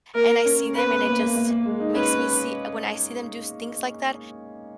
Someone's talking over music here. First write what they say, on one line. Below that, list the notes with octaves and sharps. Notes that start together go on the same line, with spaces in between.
and I see them, and it just makes me see when I see them do s things like that,
A#3 A#4
C#4
B3 B4
B3
A#3
A#3
A#3
A#3
G#3
D#4
C#4 B4